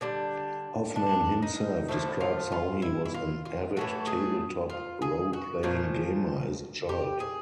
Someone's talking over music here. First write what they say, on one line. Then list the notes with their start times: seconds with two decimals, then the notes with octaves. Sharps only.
Hoffman himself describes how he was an avid tabletop roleplaying gamer as a child.
0.01 D3 G3 D4
0.96 D4
1.42 D#4
1.88 D3 F3 A3 E4
2.21 F4
2.52 F4
2.82 E4
3.05 E4
3.14 F4
3.45 F4
3.76 A2 E3 A3 F#4
4.07 G#4
4.70 F4
5.02 G#4
5.33 F#4
5.63 A#2 F3 A3 F4
6.89 G4
7.20 G#4